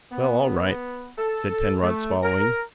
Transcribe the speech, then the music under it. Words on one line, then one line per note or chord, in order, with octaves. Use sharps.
"Well, all right," said Penrod, swallowing.
B3
A4
A3
A#4